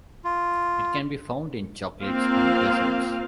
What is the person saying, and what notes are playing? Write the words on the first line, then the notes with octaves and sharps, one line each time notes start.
It can be found in chocolates and desserts.
F4
A#3 C4 F4 F5